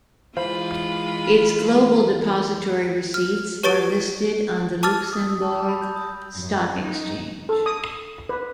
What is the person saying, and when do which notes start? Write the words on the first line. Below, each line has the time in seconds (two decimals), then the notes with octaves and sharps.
Its Global depository receipts are listed on the Luxembourg Stock Exchange.
0.37 E3 G#3 F4 C5 F5 B5
3.14 F6
3.63 G4 B4 C#5 C#6 A6 D7
4.83 A5 D6 E6 F6 A6
5.13 D#6
5.29 E6
5.42 A5
5.56 A5
5.69 B5
5.81 G6
5.96 D#6
6.37 F#2
6.82 D#4
7.49 A4
7.66 D#6
8.29 B4